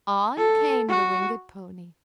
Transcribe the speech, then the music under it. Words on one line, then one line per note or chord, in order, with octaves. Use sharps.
On came the winged pony.
A4
F#4